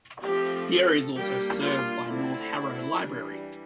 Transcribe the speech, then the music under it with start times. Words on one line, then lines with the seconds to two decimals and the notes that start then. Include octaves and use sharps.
The area is also served by North Harrow Library.
0.25 F3 A3 C4 G4
0.71 A4
1.16 G3 A#3 D4 G4
1.62 F4
2.08 D3 A3 C4 E4
3.00 E3 G3 D4